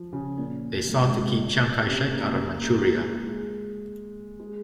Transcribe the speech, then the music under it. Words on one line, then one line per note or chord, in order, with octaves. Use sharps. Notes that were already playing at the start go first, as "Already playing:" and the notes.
They sought to keep Chiang Kai-shek out of Manchuria.
Already playing: F3
C#3
A#2
G#2
G#2
A#2
C3
C#3
A#3
A#3
A#3
G#3
A#3
G#3
G#3